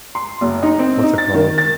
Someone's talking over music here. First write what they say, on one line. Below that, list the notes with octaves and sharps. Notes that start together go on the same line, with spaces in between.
what's it called
C6
F#1
D#4
C4
D#4
A6
D#3
A6